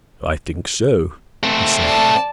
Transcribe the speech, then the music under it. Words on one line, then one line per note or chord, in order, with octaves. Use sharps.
"I think so," he said.
A3 C4
D5 A5